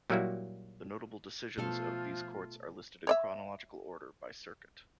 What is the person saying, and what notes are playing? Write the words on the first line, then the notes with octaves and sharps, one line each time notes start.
The notable decisions of these courts are listed in chronological order by circuit.
A#2 F#3 G3 A#3 E4 F#4
B2 F3 A3 F4 A4 F5
C#5 D5 E5